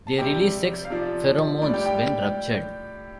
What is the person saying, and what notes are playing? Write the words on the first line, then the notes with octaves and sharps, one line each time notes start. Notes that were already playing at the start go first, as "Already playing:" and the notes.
They release sex pheromones when ruptured.
A5
C3 G3 G4 G5
F5
C3 F3 D5
A2 G3 D5
G4 G5
G4 G5